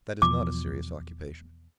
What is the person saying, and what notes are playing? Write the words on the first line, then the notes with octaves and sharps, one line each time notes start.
That is not a serious occupation.
E2 B2 F3 D6